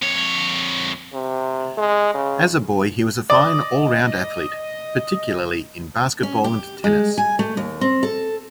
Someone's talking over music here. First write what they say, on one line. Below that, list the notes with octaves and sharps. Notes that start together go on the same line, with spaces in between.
As a boy he was a fine all-round athlete, particularly in basketball and tennis.
F2 C#5
C3
G#3
C#3
D5 D#5
C#4
G4
G#3
G#5
A3
D#2
C4
A4